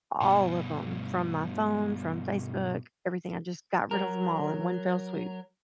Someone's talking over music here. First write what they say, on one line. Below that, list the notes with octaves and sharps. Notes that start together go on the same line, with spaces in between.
all of 'em from my phone, from Facebook, everything. I just got rid of ‘em all in one fell swoop.
G2 B2
F#3 A#4